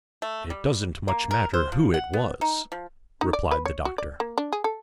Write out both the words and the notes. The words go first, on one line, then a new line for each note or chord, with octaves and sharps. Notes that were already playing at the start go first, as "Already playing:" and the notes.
"It doesn't much matter who it was," replied the doctor.
A3
G3
A#3
A#4
C5
F3
F#5
B3
D#4
F3
D#4
D5
B4
C#5
F#4
D5
A#3
D4
G#4
A4